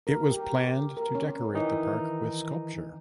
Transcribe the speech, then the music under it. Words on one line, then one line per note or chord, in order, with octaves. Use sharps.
It was planned to decorate the park with sculpture.
A#4
G4
A#4
C#4
D#3 E3 D#4